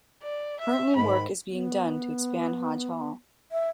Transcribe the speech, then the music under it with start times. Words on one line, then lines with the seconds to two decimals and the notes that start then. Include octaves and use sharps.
Currently work is being done to expand Hodge Hall.
0.23 D5
0.60 E5
0.96 G#2 D#3 G#3 B5
1.51 B3
3.52 E5